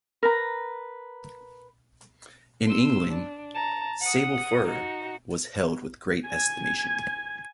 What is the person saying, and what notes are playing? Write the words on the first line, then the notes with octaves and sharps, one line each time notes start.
In England, sable fur was held with great estimation.
A#4 B4 A#5
C6 E6
D4
A5 A#5
F#5 D#6
D#4 F#4
G#5 G#6